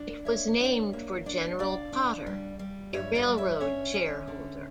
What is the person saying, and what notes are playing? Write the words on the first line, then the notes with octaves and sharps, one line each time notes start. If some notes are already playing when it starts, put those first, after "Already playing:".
It was named for General Potter, a railroad shareholder.
Already playing: D4
A#3 C#5 E5
D4
A#3
D4
D4 D5 F5
D4
G3
G3
G2 C#5 E5
D5 F5
G2
C#5 E5
C#4 C#5 E5
C#4
D3